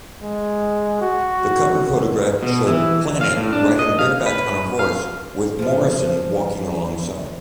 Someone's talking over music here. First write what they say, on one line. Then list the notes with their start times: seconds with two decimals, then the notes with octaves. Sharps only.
The cover photograph showed Planet, riding bareback on a horse, with Morrison walking alongside.
0.22 G#3
1.02 F#4
2.43 B2
2.67 E3
3.21 F5
3.37 A2
3.53 D4
3.79 D#5
3.99 F5
4.26 B4
4.79 F5
5.59 F3 F4